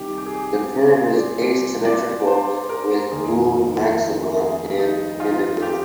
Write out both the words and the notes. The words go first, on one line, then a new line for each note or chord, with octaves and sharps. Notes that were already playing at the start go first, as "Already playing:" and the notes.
The curve is asymmetrical with dual maxima and minima.
Already playing: C2 C3 D#3 G4
G4
G#4
G4
C5
D5
D5
C5
A#4
F1 D#2 D#3 G#4
A#4
A#4
G#4
D#4
F4
G4